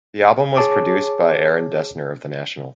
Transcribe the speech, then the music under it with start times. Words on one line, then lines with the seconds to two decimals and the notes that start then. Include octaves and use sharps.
The album was produced by Aaron Dessner of The National.
0.57 G#4 C#5 A5 D6